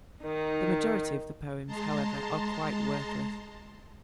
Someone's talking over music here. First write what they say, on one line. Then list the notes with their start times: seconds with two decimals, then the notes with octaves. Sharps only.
The majority of the poems, however, are quite worthless.
0.23 D#3 D#4
1.67 G#3 A5 A#5 C6